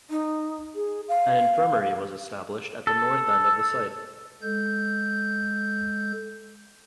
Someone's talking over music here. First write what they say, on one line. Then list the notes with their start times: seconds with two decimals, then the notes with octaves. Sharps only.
An infirmary was established at the north end of the site.
0.10 D#4
0.75 G#4
1.08 F5
2.87 A4
4.42 G#3 A4 G6